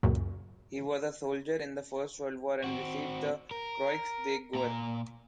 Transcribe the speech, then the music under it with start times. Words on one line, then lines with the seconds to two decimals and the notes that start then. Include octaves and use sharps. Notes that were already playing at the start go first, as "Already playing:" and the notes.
He was a soldier in the first world war and received the Croix de guerre.
0.03 C#2 F#2 A#2
2.64 C4 F#4
3.51 A#4
4.55 A#2 A#5